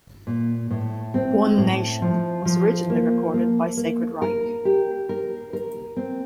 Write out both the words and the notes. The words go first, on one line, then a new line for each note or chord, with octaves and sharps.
"One Nation" was originally recorded by Sacred Reich.
A#2
A2
C4
A2
F3
F3
A#3
A#3
A#3
A#4
G4
A#4
A#4
C4